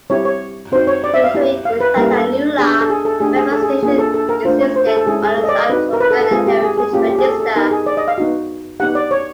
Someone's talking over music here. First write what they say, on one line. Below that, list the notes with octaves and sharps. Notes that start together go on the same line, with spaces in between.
The historic Tantanoola railway station is listed on the South Australian Heritage Register.
G3 C4 E4 G4 C#5
C#5
C4 D#4 F#4 C5
C#5
D5
E5
F5
B3 E4 G4
F5
B4
G3 A#3 C#4 E4 A#4
A4
B3 D4 G4 G#4
A4
G#4
A4
A3 D4 G4 G#4
G#4
A4
G#4
A#3 D4 F4 G#4
A4
A4
A#4
A3 D4 F4 C5
C#5
C5
A4
A4
G#3 C#4 E4 G#4
G#4
A4
D#5
D5
D#5
C4 D#4 F#4 B4
A#4
B4
A4
A4
G#3 C4 F4 G#4
G4
G#4
G#4
A#3 C#4 F4 G4
G4
G#4
A4
A4
B3 D#4 G4 A#4
G#4
D5
D#5
F5
B3 D#4 F#4
B3 D#4 G4 F#5
D5
C#5